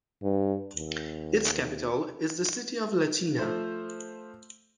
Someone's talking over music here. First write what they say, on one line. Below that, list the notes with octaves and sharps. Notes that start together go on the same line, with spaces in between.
Its capital is the city of Latina.
G2
D#2
F3 A3 C5